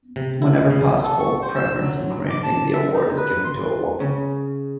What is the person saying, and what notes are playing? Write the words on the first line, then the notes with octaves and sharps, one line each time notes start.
Whenever possible, preference in granting the award is given to a woman.
C3
E4
C#3
A4
C#6
C5
E6
F#3
D6
A5
E5
D#4
B4
C6
C#3